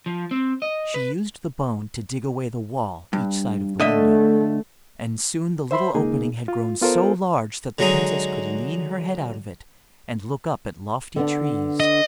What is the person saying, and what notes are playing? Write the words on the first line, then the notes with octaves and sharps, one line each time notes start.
She used the bone to dig away the wall each side of the window and soon the little opening had grown so large that the princess could lean her head out of it and look up at lofty trees.
F3
C4
D#5
B4
G2
D3 A3 D#5 E5
C5 E5 B5 C6
C#2 A#3 D#4 G#4
F4
B3 F4 A4 A#4 C5
D3 F#3 G#3 D#4
D3 B3 D4
D#5